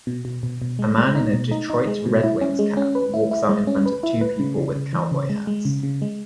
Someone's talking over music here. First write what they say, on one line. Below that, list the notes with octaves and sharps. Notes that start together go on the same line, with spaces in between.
A man in a Detroit Red Wings cap walks in front of two people with cowboy hats.
B2
B2
B2
B2
G#3
G#3
D#4
B2
D#4
D#4
G#3
B2
E4
C#4
G#3
C#4
B4
E4
E4
G#3
C#4
B4
E4
B4
C#3
C#3
C#3
E3
C#3
G#3
G#3
C#3
C#3
G#3